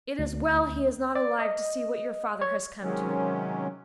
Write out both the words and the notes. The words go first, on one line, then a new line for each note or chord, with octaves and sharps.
It is well he is not alive to see what your father has come to!
D2
D5
D#5
C#5
C3 D#3 F#3 G#3 C#4